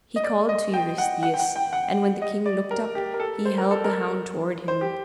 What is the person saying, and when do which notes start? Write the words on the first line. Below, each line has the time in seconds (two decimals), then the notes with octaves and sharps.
He called to Eurystheus, and when the king looked up he held the hound toward him.
0.16 D#5
0.24 D5
0.49 D#5
0.74 G5
0.98 F#5
1.23 F#5
1.34 G5
1.40 F#5
1.56 G5
1.73 F#5
2.22 D#5
2.46 D5
2.71 A#4
2.95 G4
3.14 A#4
3.20 A4
3.45 C5
3.58 A#4
3.71 A4
3.84 A#4
4.68 C5
4.81 G4